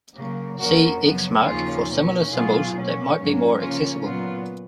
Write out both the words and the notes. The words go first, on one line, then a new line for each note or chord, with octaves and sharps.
See X mark for similar symbols that might be more accessible.
C#3 F#3 A#3
F2 F3 A#3 C#4 F#4 A#4
F#2 C#3 F3 B3
D#2 C#3 F3 A#3 C#4 F4 G#4
B2 A#3 C#4
B2 F#3 B3 F4 G#4
B2 A#3 C#4
G#2 F#3 A#3 C#4
C#3 F3 A#3 C#4 F4
A#2 F#3 B3 F4